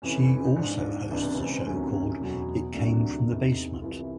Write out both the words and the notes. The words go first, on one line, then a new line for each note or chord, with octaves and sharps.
She also hosts a show called It Came From The Basement!
F2 C3 E3 C#4
D#4
G#2 F3 D4
C#2 C3 E3 D4
C4
D2 C3 D#3 F#3 C#4
E2 B2 F#3
D2 C3 D#3 F#3 D4
E2 C3 E3 D#4
F4
C2 C3 E3 E4